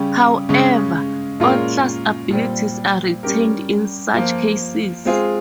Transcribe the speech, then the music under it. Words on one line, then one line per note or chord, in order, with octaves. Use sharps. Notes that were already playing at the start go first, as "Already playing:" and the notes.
However, all class abilities are retained in such cases.
Already playing: C#3 G3 C#4
C#3 G#3 C#4
A#2 G#3 C#4 F4 A#4
A#2 G3 C4
G3 C#4 G4 A#4
F3 A#3 F4
G#3 C4 F4 G#4